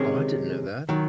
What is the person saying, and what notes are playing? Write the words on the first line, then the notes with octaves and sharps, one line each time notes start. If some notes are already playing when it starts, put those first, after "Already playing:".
Oh, I didn't know that.
Already playing: C3 D#3 G#3 C#4 G#4
D#3 F#3